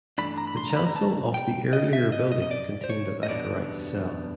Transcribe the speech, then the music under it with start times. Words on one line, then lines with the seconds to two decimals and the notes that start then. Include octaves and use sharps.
The chancel of the earlier building contained an anchorite's cell.
0.18 G2 E3 A3 D4 B5
0.38 A#5
0.47 B5
0.57 C6
0.70 A#5
0.77 B5
0.87 A#5
0.96 A5
1.34 G5
1.73 D#5
1.93 E5
2.12 D#5
2.32 D#5
2.42 D#5
2.51 D5
2.84 C5
2.90 C#5
3.23 D#5
3.29 E2 B2 G3 B3 D4 D5